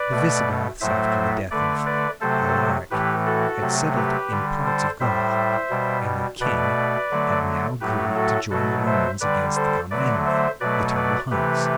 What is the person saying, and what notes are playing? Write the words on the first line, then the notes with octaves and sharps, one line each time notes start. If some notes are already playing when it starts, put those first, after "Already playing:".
The Visigoths after the death of Alaric had settled in parts of Gaul, and their king had now agreed to join the Romans against the common enemy--the terrible Huns.
Already playing: B4 D5
B2 A3
A2 F#3 A3 C5 E5
D3 A3 B4 D5
B4 D5
C3 F#3 A3 A4 C5
A2 E3 A3 G4 B4
F#4 A4
C3 F#3 A3
G4 B4
D3 G3
A4 C5
A2 G3 C5 E5
B2 G3
B2 A3 B4 D5
D3 F#3 A3
A2 F#3 A3 G4 B4
F#4 A4
B2 F#3 A3 F#4 A4
C5 E5
D3 G3 B4 D5
A4 C5
D3 F#3 A3 B4 D5
C5 E5
B2 F#3 A3 B4 D5
B4 D5
C3 E3 A3 G4 B4